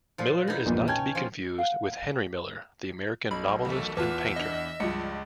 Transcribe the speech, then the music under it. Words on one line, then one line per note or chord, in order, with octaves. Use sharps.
Miller is not to be confused with Henry Miller, the American novelist and painter.
A#2 F3
B2 D#4
A#1 E2 A#2
C#4 G5 A5 G#6
F3
F5 F#5
B1 B5
D#2 E3 A3
E2 F4 B4 E5 A5 D6
B3 D4 D#5
C#2 G2 F3 C#7